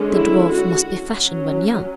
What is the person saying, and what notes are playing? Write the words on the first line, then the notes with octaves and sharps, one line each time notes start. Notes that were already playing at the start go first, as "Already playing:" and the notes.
The dwarf must be fashioned when young.
Already playing: D3 G#3 C#4
E4
F#4
F#3 C#4